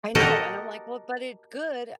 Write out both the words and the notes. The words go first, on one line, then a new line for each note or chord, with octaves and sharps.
I know, and I'm like well, but it's good.
F#4 G4 A4 A#4 D#5